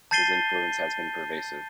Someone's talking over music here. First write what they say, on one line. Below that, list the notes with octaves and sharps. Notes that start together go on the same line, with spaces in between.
His influence has been pervasive.
A5 G6 A6 C7 D#7 G7